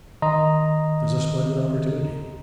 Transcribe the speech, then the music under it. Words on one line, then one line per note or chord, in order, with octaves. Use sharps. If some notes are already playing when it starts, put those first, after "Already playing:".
There's a splendid opportunity.
D#3 D#5 A#5 C6